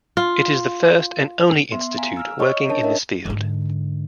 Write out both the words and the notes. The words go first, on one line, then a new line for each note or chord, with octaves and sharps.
It is the first and only institute working in this field.
F4
B3 E5 C6
F5 G#5 A#5
E6 F6
C#5 D#5 C#6
C#4 D4 A#4 C#5 D#5 A5
D4 A#4 C#5 D#5 E5
G#2 D3